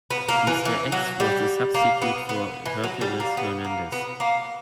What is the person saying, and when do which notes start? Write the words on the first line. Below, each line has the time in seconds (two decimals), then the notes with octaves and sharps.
Mr. X was a substitute for Hercules Hernandez.
0.11 B3
0.29 A#3
0.47 E3
0.65 E3
0.92 F#3
1.20 G3
1.74 A#3
2.02 B3
2.29 B3
2.66 E3
2.84 F#3
3.01 G3
3.20 A#3
3.37 B3
3.64 A#3
3.92 B3
4.20 A#3